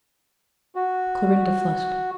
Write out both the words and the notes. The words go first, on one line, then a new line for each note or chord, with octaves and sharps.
Clorinda flushed.
F#4